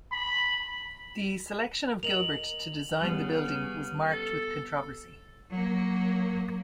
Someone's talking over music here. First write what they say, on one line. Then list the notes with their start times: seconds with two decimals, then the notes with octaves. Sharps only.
The selection of Gilbert to design the building was marked with controversy.
0.12 B5
2.03 A#4 D#5 F7 F#7
3.01 C#3 G3 B3
4.12 A4
5.51 F#3 A#3